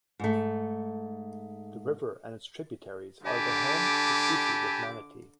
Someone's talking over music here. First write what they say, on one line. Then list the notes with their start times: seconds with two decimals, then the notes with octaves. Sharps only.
The river and its tributaries are the home to species of manatee.
0.19 G#2 A3
3.26 D3 G4 G#5 A5 B5 D6